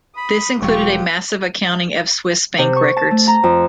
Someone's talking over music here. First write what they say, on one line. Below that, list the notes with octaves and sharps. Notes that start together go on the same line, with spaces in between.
This included a massive accounting of Swiss bank records.
B5 D#6
E1 F#3 G#3 F4 G4 C#6
C3
C#6
A5
A3
A#5
F2